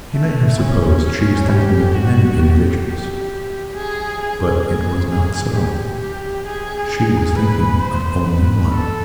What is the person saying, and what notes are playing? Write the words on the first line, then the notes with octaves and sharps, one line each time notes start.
She may have supposed she was thinking of many individuals, but it was not so--she was thinking of only one.
A3
C#4
C#4
G4
F#4
G4
G4
G#4
G#4
G#4
G#4
G4
G4
G#4
B4
C5
B4
A4